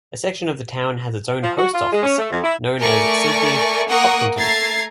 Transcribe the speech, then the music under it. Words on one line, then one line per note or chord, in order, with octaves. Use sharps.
A section of the town has its own post office known as simply Hopkinton.
F3
F#4
F4
G#3
C#4
A3
F2
E4
A3 A#4 D5 G#5 C#6
A#3 A#4 F#5 C#6 D#6
A3 A#5 G#6 A6 C7